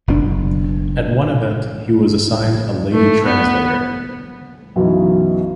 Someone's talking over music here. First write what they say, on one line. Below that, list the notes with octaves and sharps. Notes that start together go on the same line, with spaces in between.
At one event, he was assigned a lady translator.
F#1 B2 C#4 D4
A3
B3
B1 F#2 B2 E3